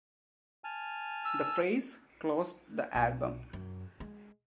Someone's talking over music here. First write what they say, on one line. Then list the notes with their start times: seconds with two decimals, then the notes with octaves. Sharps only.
The phrase closed the album.
0.64 G#5 A5 F6
1.24 E6
2.94 B1
3.53 F#2
4.00 G#3